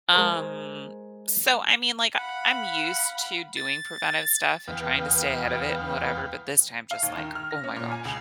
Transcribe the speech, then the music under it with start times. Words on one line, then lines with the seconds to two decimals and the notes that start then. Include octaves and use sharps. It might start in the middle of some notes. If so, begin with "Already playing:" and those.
Um, so, I mean, like, I I'm used to doing preventive stuff and trying to stay ahead of it and whatever, but this time, just like, "Oh my gosh."
0.13 G#3 A#4 C5
2.16 F5 F#5 B5
3.57 A6
4.68 E2 B3 F5 G5
6.91 F5
7.03 D#2
7.17 D#3
7.35 F6
7.51 A#6
7.64 C#4
7.76 A#2
7.92 G#5
8.05 C#2